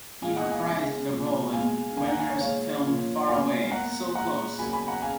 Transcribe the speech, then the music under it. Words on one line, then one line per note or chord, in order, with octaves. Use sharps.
He reprised the role in Wenders' film Faraway, So Close!
A#2 G#3 F5 G#5
D#5 F#5
F5 G#5
C#3 G#3
A#2 F3 G#3
B2 G#3 F5 G#5
D#3 A#3 F5 G#5
F#5 A#5
F5 G#5
C#5
A#2 G#3 C#5 F5
A#2 F3 A#3
B2 F#3 A#3 F5 G#5
B2 A#3 F#5 A#5
A#2 G#3 F#5 A#5
C#3 F#3 A#3 G#5 B5
G#5 B5
F#5 A#5
C#3 F5 G#5